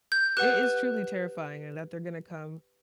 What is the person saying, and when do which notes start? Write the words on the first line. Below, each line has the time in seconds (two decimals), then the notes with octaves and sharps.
It is truly terrifying that they're gonna come
0.12 G6
0.37 G4 B4 F#5 F#6